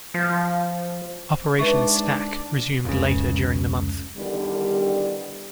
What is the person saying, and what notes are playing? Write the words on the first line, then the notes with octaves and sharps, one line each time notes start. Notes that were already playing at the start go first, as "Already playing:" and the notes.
Operation Stack resumed later during the month.
F3
G#2 D4 B4 D5 E5 C#6
F1 C#2 C#3
E2 D3 D#3 G3